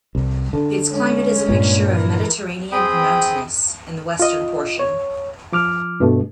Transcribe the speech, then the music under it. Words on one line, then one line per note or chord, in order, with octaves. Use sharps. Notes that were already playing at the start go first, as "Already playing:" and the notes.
Its climate is a mixture of Mediterranean and mountainous in the western portion.
C2
D3
G#3 C#4
G2 A#2
E3 A#4
C4 G#4 G5 B5 D#6
F4 D#5
C#5
F3 D6 F6
G2 B2 A3